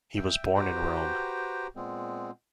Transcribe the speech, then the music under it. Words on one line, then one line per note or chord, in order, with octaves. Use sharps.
He was born in Rome.
E5 G5
F#4 G4 B4 C5 G5 A#5
A#2 G#3 B3 C4